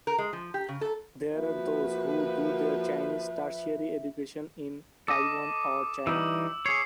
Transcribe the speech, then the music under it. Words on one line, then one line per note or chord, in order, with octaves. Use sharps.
There are those who do their Chinese tertiary education in Taiwan or China.
A#4
G#3
F3
G4
C#3
A4
F3 A#3 F#4 B4 E5
A4 D#5 D6
E3 G3 D#4 E6
G#4 C#5 C7